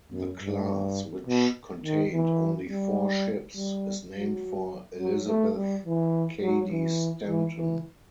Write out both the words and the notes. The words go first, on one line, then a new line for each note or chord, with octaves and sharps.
The class, which contained only four ships, is named for Elizabeth Cady Stanton.
F#2
G2
B2
D#3
E3
G3
G3
F#3
F#3
A3
G3
E3
F#3
E3
E3
E3